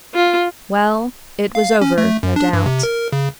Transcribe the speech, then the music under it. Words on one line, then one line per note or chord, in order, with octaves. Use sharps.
Well, it was over, no doubt.
F4
F5
C#4
A3
F#2
D4
G2
C3
A#4
C#3